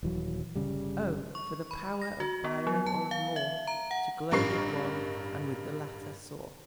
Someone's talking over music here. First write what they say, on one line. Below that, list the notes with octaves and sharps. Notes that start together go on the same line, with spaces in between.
Oh, for the power of Byron or of Moore, To glow with one, and with the latter soar.
D#1 E3 F#3
G1 C#3 G3
C#6
B5
A#6
F#4
B3
F#3
A5
F5
E5
A#5
F#5
A1 G2 A#4 C#6 C7